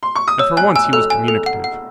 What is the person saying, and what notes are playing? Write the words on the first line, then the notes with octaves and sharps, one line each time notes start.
And for once he was communicative.
C6
C#6
D#6
C#5 E6
G#5 F#6
G#5 E6
A4 E6
G#5
A4
F#5
F#5